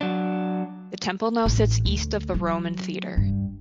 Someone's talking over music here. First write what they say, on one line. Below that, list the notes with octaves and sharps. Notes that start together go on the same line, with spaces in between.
The temple now sits east of the Roman theater.
F#3 D4
A1 D#3
D2
F#3
G2